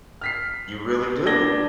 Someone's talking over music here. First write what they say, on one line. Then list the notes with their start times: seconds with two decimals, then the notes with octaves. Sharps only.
You really do.
0.21 F6 B6 C7
1.26 D4 G#6 A#6 G7